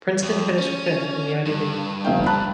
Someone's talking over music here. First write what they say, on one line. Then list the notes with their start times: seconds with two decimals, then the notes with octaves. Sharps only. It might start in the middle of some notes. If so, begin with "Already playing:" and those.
Princeton finished fifth in the Ivy League.
0.23 F2
0.58 C#4
1.46 G2
2.04 F1 F5 G5
2.26 A5 B5 F#6